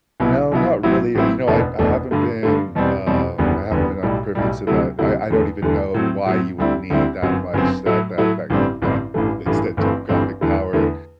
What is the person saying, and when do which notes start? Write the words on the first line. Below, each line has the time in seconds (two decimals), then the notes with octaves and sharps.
No, not really, uh, you know, I I haven't been um, I haven't, uh, been privy to that, I I don't even know why you would need that much that that that that the extent of graphic power,
0.20 C2 B2 F#3 B3 E4
0.51 C2 B2 F#3 B3 E4
0.83 A1 A2 F#3 C4 E4
1.15 A1 A2 F#3 C4 E4
1.47 F#1 E2 B2 A3 D4
1.79 F#1 E2 B2 A3 D4
2.11 G2 D3 A3
2.43 G2 D3 A3
2.75 E2 B2 G3 C4
3.07 E2 B2 G3 C4
3.38 F#1 E2 D3 G3 B3
3.71 F#1 E2 D3 G3 B3
4.03 B1 A2 G3
4.35 B1 A2 G3
4.67 D2 C3 F#3 A3 E4
4.99 D2 C3 F#3 A3 E4
5.30 E2 D3 A3
5.62 E2 D3 A3
5.94 A2 F#3 C4
6.26 A2 F#3 C4
6.58 D2 D3 G3 C4 E4
6.90 D2 D3 G3 C4 E4
7.22 G1 F#2 F#3 C4
7.54 G1 F#2 F#3 C4
7.86 A2 F#3 A3 E4
8.18 A2 F#3 A3 E4
8.50 A1 G2 D3 G3 C4
8.82 A1 G2 D3 G3 C4
9.14 A1 G2 E3 A3
9.46 A1 G2 E3 A3
9.77 G1 G2 E3 A3 C4
10.09 G1 G2 E3 A3 C4
10.41 E2 D3 A3 E4
10.73 E2 D3 A3 E4